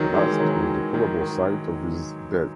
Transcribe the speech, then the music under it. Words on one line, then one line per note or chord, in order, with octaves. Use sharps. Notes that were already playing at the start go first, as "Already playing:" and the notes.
The last was the probable site of his death.
Already playing: D#3 F#3
E3 G#3
D#3 F#3
D#3
D#3